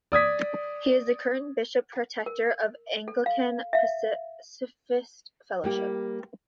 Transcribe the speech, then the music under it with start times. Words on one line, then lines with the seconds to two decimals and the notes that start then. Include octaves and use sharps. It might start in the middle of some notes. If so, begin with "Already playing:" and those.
He is the current Bishop Protector of the Anglican Pacifist Fellowship.
0.12 D5 D#6 G#6 B6
2.26 A#4
3.08 A4
3.26 F5
3.73 E5 F5
5.64 G3 A#3 G4